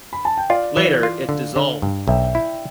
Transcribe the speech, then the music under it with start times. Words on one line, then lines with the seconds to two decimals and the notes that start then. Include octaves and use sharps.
Later it dissolved.
0.13 B5
0.25 A5
0.37 G5
0.50 F4 D5 F5
0.77 E3
1.03 F4
1.29 D3
1.56 D3
1.82 G2
2.08 B1 E5 G5
2.35 E4